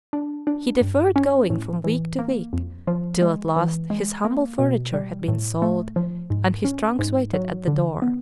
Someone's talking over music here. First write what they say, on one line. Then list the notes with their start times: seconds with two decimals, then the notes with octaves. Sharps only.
He deferred going from week to week, till at last his humble furniture had been sold, and his trunks waited at the door.
0.13 D4
0.47 D4
0.81 G2
1.16 C#4
1.50 A2
1.84 E3
2.19 A#3
2.53 F2
2.87 F3
3.22 G#3
3.56 E3
3.90 G#3
4.25 A#3
4.59 B2
4.94 G3
5.28 A2
5.62 A3
5.96 F3
6.30 G#2
6.65 C#4
6.99 G#2
7.33 F#3
7.68 D3
8.02 B3